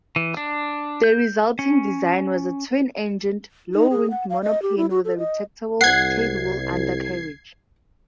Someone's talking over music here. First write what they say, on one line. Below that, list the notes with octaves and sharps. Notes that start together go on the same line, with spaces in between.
The resulting design was a twin-engined, low-winged monoplane with a retractable tailwheel undercarriage.
E3
D4
G6
C#4
D#4
G#4
F#5
F5
D#5
G4
E4
F#4
A4
D#5
C2 F#5 G#6 C7